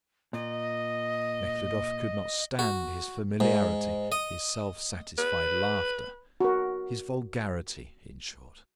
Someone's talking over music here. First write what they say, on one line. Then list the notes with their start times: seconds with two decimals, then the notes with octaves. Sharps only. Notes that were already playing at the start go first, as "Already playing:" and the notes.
Nekhludoff could not stand his familiarity, his self-satisfied laughter, his vulgarity, in short.
0.33 A#2 D#5
2.59 F#4
3.40 G#2
4.12 D#5
5.18 B4
6.41 F#4 A#4